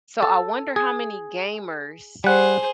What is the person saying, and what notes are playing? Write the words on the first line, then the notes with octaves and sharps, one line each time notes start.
So I wonder how many gamers
A4
G#4
G3 G#4 C5 F#5